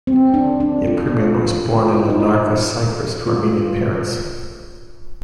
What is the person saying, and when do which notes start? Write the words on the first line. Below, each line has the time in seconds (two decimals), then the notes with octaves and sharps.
Yepremian was born in Larnaca, Cyprus to Armenian parents.
0.07 C4
0.34 D4
0.60 D4
0.87 F4
1.07 F4
1.67 F4
1.94 E4
2.10 D#4
2.20 E4
3.27 F4